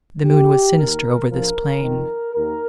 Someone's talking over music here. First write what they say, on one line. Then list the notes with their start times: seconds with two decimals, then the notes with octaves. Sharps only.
The moon was sinister over this plain.
0.25 D#2 D#3 G4
0.77 D#2 D#3 A#4
1.30 A#1 A#2 F3 A#4
1.82 F2 D#3
2.35 D#2 D#3 A#4